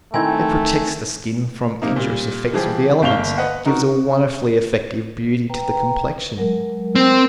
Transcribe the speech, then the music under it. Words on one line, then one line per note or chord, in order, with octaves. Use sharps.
It protects the skin from injurious effects of the elements, gives a wonderfully effective beauty to the complexion.
D#3 A3 C4 E4 G#5 G#6
C3 A#3 D#4
A#2 G3
E3 F3 G3 G4 G#4
G1 A#3 F5 C#6 F7 G7
B4 D#5 F#5
D#4 F#4 A#4 C#6
B4 G5 A#5
F#3 G#3 A#4
C4